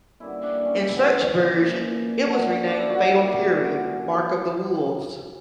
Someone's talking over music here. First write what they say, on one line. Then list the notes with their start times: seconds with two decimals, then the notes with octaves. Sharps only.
In such version, it was renamed "Fatal Fury: Mark of the Wolves".
0.20 D3 G3 A#3 C#4 E4
0.43 D4
0.65 C#4
0.88 C#3 E3 B3 E4
1.55 A#2 A#3 C#4
2.22 D3 F#3 C#4
2.67 D4
2.78 E4
2.90 A#2 G3 A#3 F#4
3.57 D3 F#3 C#4